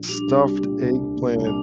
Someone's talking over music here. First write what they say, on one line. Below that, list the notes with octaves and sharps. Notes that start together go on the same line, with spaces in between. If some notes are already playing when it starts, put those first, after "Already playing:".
Stuffed eggplant
Already playing: A#1
G3 D4
C2
G3
A#2
C2
C2
A#2
C2
D4